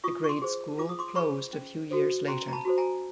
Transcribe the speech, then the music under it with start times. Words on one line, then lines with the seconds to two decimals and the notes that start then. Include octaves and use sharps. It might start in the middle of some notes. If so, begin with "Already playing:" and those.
The grade school closed a few years later.
0.04 F4 C#6 D#6
0.24 C#6
0.29 C6 D6
0.42 G#4 C5
0.78 F4 D6
0.89 D#6
0.99 C6 D6
1.15 G#4 C5 B5 C#6
1.53 C#4
1.91 F#4 A4 C5
2.28 C#4 A#5 C6
2.48 A#5
2.53 A5 B5
2.65 F#4 A4 C5
2.78 G#5 A#5